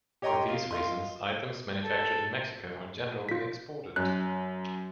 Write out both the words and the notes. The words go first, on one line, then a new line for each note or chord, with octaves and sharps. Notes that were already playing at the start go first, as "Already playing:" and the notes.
For these reasons, items manufactured in Mexico are generally exported.
G4 C#5 D#5 G5 A#5 C6
F4
F4 D#5 C6
A4
F4 B6
F#2 F#6